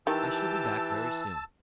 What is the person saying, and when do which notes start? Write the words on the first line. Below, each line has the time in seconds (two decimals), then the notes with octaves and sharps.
I shall be back very soon.'
0.07 D#3 E3 G4 A5 E6